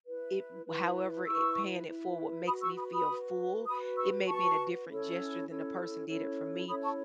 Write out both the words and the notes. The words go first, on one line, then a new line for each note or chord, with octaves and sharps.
it however it paying it forward makes me feel full, it may be in a different gesture than the person did it for me,
E4 B4
E4 B4
E4 B4 C#6 E6
E4 B4
F#4 B4 B5 D#6
C#6 E6
B5 D#6
B5 D#6
F#4 B4
F#4 B4 B5 D#6
C#6 E6
F#4 B4 A5 C#6
C#4 E4 A4 C#5
C#4 E4 A4 C#5
C#4 E4 A4 C#5
C#4 E4 A4 C#5 B5 D#6
A5 C#6